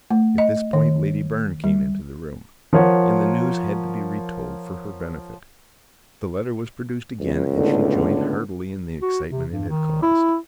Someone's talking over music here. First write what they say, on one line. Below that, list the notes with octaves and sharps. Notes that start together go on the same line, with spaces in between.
At this point Lady Byrne came into the room, and the news had to be retold for her benefit; the letter was produced again, and she joined heartily in the excitement it had caused.
A3
D#5
D#3
G3
F3 A#4 C#5 F#5
C#2
A2 D3 B3
F#4
C3
G2
D#3
E4